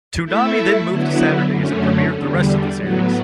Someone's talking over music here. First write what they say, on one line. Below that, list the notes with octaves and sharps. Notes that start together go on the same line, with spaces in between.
Toonami then moved to Saturdays and premiered the rest of the series.
A3 E4 A4 E5
D3 F#3 B3 E4
F#2 D3 A3 C#4
E2 D3 G3
A2 F#3 B3